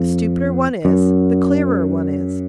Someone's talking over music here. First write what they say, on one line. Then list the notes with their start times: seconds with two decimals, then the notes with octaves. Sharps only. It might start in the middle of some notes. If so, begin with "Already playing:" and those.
The stupider one is, the clearer one is.
Already playing: F2
0.85 F#2